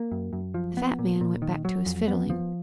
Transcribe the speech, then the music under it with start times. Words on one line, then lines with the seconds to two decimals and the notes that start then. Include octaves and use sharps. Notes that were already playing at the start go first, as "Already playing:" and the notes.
The fat man went back to his fiddling.
Already playing: A#3
0.12 F#2
0.33 F#2
0.54 F3
0.77 B3
0.99 A#2
1.21 A#2
1.42 D#3
1.65 F#3
1.86 F2
2.08 B3
2.30 F3